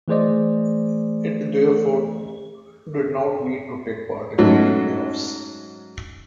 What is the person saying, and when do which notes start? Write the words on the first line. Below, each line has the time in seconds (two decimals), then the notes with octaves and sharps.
It therefore did not need to take part in any play-offs.
0.08 E3 A3 G#4 C5 D5 D#5
4.38 G#2 F#3 A3 C#4